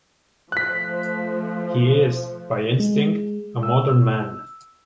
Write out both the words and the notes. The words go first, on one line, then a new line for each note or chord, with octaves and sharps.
He is, by instinct, a modern man.
F3 A3 F#6 B6
G#3
E6